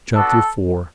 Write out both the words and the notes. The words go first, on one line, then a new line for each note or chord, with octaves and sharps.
Chapter IV.
B3 D4 F#4 A4